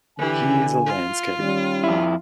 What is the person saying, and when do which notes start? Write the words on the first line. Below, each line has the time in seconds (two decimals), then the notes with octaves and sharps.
Here's a landscape!
0.18 D3 E3 G4 G#5
0.86 F4
1.39 D#3 G3 C#4
1.84 F2 E4